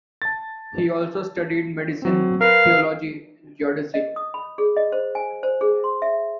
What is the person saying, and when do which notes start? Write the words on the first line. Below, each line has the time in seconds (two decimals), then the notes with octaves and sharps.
He also studied medicine, theology and geodesy.
0.22 A5 A6
2.02 F#3 C4
2.41 A#4 B4 F5
3.94 D#5
4.16 D#6
4.34 B5
4.58 G#4
4.77 D#5
4.92 C5
5.15 G#5
5.43 C5
5.61 G#4
5.84 C6
6.02 E5